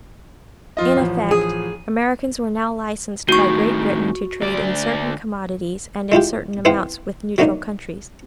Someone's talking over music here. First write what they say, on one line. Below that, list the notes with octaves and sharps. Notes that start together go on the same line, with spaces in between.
In effect, Americans were now licensed by Great Britain to trade in certain commodities and in certain amounts with neutral countries.
F2 F4 D#5
A1 F3
G#4
A2 D#3 F#4 C#6
D2 D5
G#3 E4 F4 G4
B3 C4 E4 C5 F5 G5
F#3 A3 A#3 D4 D#4